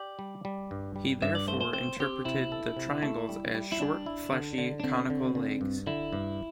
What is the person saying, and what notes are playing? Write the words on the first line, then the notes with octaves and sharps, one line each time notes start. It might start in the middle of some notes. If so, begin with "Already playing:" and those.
He therefore interpreted the "triangles" as short, fleshy, conical legs.
Already playing: G4 D5
G3
G3
G2
G3
G2 E5
D5
A3 C5
C5
C4 C5
C4 G4
C3 E4
A4
C3
A3
G3
G3
E4
G3 D4
E4
D3
D3
D4
D3 C4
D3
D3
G2
D3 E4
G2